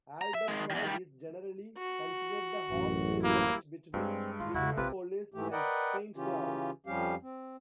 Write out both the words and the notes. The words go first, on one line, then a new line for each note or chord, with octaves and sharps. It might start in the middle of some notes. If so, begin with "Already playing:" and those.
Albertville is generally considered the halfway point between Minneapolis and Saint Cloud.
A#5
E5
D#3 G#3
E2 D#3
D#3 G3
F#4
A1 F#2
G3 A#3 E4
G2 G#3 C4 C#4
A2 E4 F4
E2 C#3 E4 F#4
A#1 C3 F4 B4
G#2 E3 A3 G4
A#4 B4 D5 D#5 F#5 G5
C#3 E3 C#4 F4 G4
F2 F3 G3 C#4 G4 F5
C4